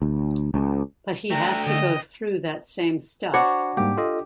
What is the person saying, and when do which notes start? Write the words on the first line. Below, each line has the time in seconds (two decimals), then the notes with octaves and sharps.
But he has to go through that same stuff.
0.02 D2
0.54 C#2
1.30 A3 D4 G5 A#5
1.66 D3 D#5
3.34 D4 F#4 C5 C#5 B5
3.77 G#2 G3 A#3 G4
3.97 F4 A4 D#5